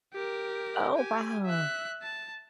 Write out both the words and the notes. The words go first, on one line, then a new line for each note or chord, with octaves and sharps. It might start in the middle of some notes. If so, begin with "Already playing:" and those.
Oh, wow.
G4 A#4
G4 G#5
E5 F#6
A5